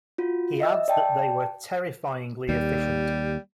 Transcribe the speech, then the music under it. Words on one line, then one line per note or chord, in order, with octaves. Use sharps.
He adds that they were terrifyingly efficient.
F4 F#4
D#5 E5 E6
D5 G5 A5
D#2 G3